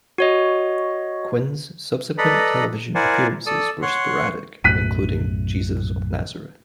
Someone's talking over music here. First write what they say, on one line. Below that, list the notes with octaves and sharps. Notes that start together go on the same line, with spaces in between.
Quinn's subsequent television appearances were sporadic, including "Jesus of Nazareth".
F#4 C#5 D#5
A4 B4 D5 D#5 A#5 B5
E4 A#4 C5 D5 F#5 G#5
A4 D5 D#6 E6
C#5 F#5 C6
B1 F#2 A2 F#6 B6 D#7